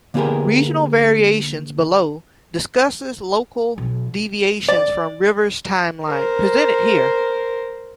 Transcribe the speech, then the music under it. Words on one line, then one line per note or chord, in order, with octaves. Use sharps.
"Regional variations" below discusses local deviations from Rivers' timeline, presented here.
D3 A#3 B3 G4 G#4 A#4
B1
D5
A#4 C5